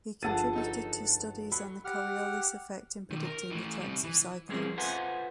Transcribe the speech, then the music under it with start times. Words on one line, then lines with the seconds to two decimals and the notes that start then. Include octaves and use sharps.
He contributed to studies on the Coriolis effect in predicting the tracks of cyclones.
0.23 G1 F3 G#4 F#5 A5 E6 A6 D#7
0.53 F#3 D#4 A4
1.52 F#3 B5
1.85 G4 F#5 F6
3.11 B1 D#3
3.25 A#4
3.51 E3 A3
3.81 C3 G3
4.04 E3
4.49 G3 C4 C#4 G#4 A#4
4.77 F4 A4 B4 C5 F#5 G#5